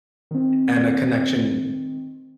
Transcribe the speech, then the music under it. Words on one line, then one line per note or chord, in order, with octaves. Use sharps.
and a connection
D#3 C4